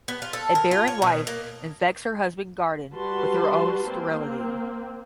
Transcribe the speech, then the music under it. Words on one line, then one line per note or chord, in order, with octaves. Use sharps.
A barren wife infects her husband's garden with her own sterility.
B3
F4
A4
A#4
F4
C#5
B2
A#3
G3 F#4 B4 A5 C6
A#3 C4